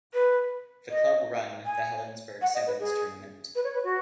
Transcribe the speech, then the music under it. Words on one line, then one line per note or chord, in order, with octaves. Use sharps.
The club run the Helensburgh Sevens tournament.
B4
D#5
G#5
F#5
D#5
B4
G#4
B4
C#5
B4
F#4